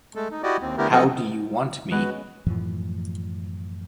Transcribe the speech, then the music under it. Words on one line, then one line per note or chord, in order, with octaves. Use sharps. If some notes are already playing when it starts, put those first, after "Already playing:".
How Do You Want Me?
G#3 A3 A4
D#4
E4 F#4 G4 D5 D#5
D#2 C4
D3 A3 B3 E4 G4 A#4
F3 F#3 C4 C#4 A4 D#5
G#3 B3 C#4 F#4 B4
F#2 A2 E3 F3